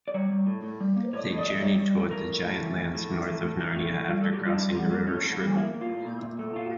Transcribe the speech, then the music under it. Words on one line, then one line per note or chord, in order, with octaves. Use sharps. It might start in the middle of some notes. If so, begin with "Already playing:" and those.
They journey toward the giant-lands north of Narnia after crossing the River Shribble.
D5
G3 C#5
G3
A2
A2
G3
A#3
A2 C#5
A2
D5
A2
G3 C#5
G3
A2
A2 A#4
A2
A2
E3
A2
A2
E3
A2
A2
E3
A2
A2
G3 F4
A4
A2
G4
G3 F4
D4
G3 E4
F4
G3 G4
G3 A#3
A2 C#4
A2
G3
A#3 E4
A#3
F4
A2
A#2
A#2
A3
A#2 F4